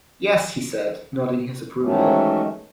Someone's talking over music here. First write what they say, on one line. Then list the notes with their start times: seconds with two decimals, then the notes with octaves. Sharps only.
"Yes," he said, nodding his approval.
1.82 G#2 D#3 E3 F#3 A3 C#4